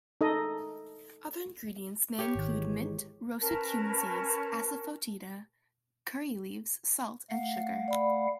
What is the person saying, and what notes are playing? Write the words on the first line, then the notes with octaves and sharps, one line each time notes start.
Other ingredients may include mint, roasted cumin seeds, asafoetida, curry leaves, salt and sugar.
D#4 A4 D#5
G4 C#5
G#1 D#3
E3 G#3
C#4 A#4 B4 A5
A3 F5 F#5
D5 B5